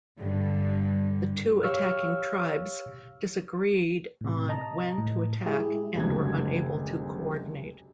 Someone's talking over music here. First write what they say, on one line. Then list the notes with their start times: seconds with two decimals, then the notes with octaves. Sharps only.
The two attacking tribes disagreed on when to attack and were unable to co-ordinate.
0.18 G2 D3
1.63 G4 C#5 F5 C#6 E6 F6
4.21 A2 C3
4.49 D#5 A5 A#5
4.98 A2
5.46 G#3 E4 G4 G#4
5.95 F#1 D2 C3 G#3 F#4 G#6